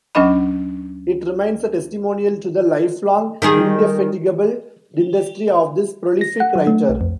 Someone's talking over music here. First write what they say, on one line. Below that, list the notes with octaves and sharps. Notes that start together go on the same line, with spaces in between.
It remains a testimonial to the lifelong indefatigable industry of this prolific writer.
D2 F#3 C#4 D4 D#5 B5
D#3 G3 G#4
A#6
F#5
F#3
A3
B1
F2